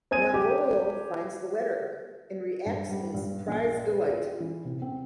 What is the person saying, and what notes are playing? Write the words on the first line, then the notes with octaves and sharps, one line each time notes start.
Malvolio finds the letter and reacts in surprised delight.
C4 G#5 G#6 D#7
G4
G2
G3
G2
A#1
B4
F4
E3
C3
C4